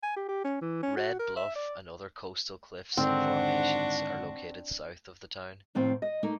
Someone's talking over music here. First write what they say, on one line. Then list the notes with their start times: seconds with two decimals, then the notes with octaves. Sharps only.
Red Bluff and other coastal cliffs and formations are located south of the town.
0.03 G#5
0.16 G4
0.29 G4
0.44 C#4
0.61 E3
0.83 C#4
0.97 F#4
1.19 A#4
1.36 E5
1.56 D5
2.97 G#2 D3 D#3 C4 D4 F#4 F#5
5.75 D#2 A2 F3 C4 F4
6.02 D#5
6.23 A3 A#3 D#4